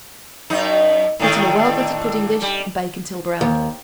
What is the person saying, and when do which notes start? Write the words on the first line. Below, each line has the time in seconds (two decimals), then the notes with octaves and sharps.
Put in a well-buttered pudding-dish and bake until brown.
0.50 F#2 D#4
1.19 A2 D3 D#3
2.42 G3
3.41 D#2